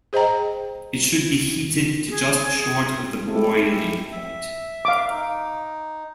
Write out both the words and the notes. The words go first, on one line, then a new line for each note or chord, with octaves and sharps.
It should be heated to just short of the boiling point.
G#4 C5 D#5 G5 A#5
G#4
G#3 A3 C4 E4 G4 A4
E5
F5 D6
D#4